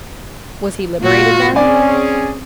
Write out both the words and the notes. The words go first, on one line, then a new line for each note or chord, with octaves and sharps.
"Was he liberated, then?"
A#2 F4 F#4
C4 C#4 G#4 D5 G#5